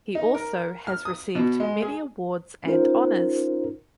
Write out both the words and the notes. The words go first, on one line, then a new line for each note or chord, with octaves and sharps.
He also has received many awards and honors.
D#4
A#4
F6
D#6
B2
G#3
G#4
C#4 D#4 F4 A#4 C5